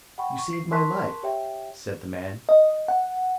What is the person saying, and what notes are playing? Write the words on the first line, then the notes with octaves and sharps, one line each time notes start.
"You saved my life," said the man.
F#5 G5 B5 C#6
C#6
C7
A#4 A5 C6 C#6 F#6 B6
G4 C#5 E5 G5
D#5
F#5